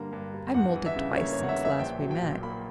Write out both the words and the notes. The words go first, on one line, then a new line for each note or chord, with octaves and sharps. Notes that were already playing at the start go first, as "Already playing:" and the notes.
I've moulted twice since last we met.
Already playing: G2 D3 G3 A#3 A#5
G2
G3
E2 F#5
E3
E5
C#3
A#3 C#5
C#5
E2 F#5
E5
E3
E5
A#1 G5
F#3
G5
A#2
A#3 B5